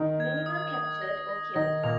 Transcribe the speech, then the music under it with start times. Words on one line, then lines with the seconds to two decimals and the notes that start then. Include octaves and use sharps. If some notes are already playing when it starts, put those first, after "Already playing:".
Many were captured or killed.
Already playing: D#3 D#4
0.20 G#6
0.46 D#6
0.74 D#6
1.01 A#6
1.29 A#6
1.55 D#3 D#4 A#6
1.83 A#2 A#3 F7